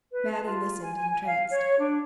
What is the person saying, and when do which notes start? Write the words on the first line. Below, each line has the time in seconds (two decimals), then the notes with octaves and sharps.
Mattie listened entranced.
0.11 B4
0.32 A5
0.45 F4
0.83 G#5
0.96 G#5
1.10 G#5
1.27 F5
1.50 C#5
1.79 D4